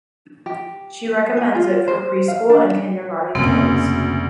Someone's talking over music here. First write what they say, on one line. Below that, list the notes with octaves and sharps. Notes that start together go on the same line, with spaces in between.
She recommends it for preschool and kindergarten kids.
G4
G#5
F4
C5
F5
D4
F1 D2 C#3 A#3 C4